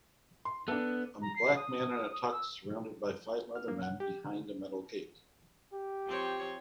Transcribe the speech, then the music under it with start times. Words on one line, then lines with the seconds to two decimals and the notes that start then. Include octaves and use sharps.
A black man in a tux surrounded by five other men behind a metal gate.
0.45 C6
0.68 B3 D4 A4
1.22 A#5
1.36 C7
1.56 D#6
2.31 E6
3.55 F6
3.68 A#3
3.82 F#5
4.00 G4
4.24 D3
5.73 G4
6.06 F3 C4 C#5